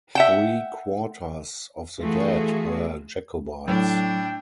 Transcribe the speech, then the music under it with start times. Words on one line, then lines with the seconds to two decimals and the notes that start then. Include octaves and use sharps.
Three-quarters of the dead were Jacobites.
0.15 E5 F#5 G5
2.00 E3 A3 F4 F#4 G#4
3.68 A2 F#3 D4 G5